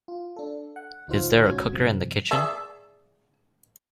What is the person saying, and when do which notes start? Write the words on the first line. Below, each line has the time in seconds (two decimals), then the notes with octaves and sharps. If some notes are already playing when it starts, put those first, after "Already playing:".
Is there a cooker in the kitchen?
0.08 F4
0.36 D4 A4
0.76 F#5
1.08 D2 D#4 F4 C5 F5 F#5
1.44 A#1 G#2 C#4 F#4 G#6
1.71 G2 C3 F3
2.31 G#4 D5 E5